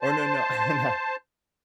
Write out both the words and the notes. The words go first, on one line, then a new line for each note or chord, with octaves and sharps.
Or, no, no, no,
C5 A5